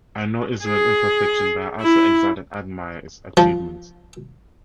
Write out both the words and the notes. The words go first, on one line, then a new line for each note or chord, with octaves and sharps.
I know Israel's imperfections, but I also exalt and admire its achievements.
G#4
E4
F3